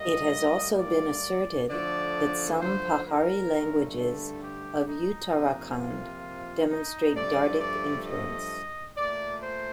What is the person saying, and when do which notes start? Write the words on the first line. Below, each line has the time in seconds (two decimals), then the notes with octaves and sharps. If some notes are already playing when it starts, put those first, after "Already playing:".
It has also been asserted that some Pahari languages of Uttarakhand demonstrate Dardic influence.
Already playing: A2 G3 A#3 D#5
0.79 D5
1.69 D3 F3 A3 D5
2.61 C5
3.06 A#4
3.52 G2 D3 A3
3.97 A4
4.43 G4
4.88 D#4
5.33 C3 F3 A#3
5.79 F4
6.70 D#4
7.15 G2 F3 A3 D5
7.60 D5
8.06 D#5
8.96 A#2 A3 D5
9.43 C5